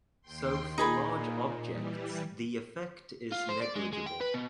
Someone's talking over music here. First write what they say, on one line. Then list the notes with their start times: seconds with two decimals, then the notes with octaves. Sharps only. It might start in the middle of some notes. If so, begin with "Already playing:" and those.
So for large objects the effect is negligible.
0.22 D#2 G5 C6
0.78 A#2 D#4 G#4 B5
1.64 E3 G3
3.32 F4
3.49 C5
3.62 D5
3.76 G#3
3.93 G#3
4.07 G5
4.21 B4
4.34 B2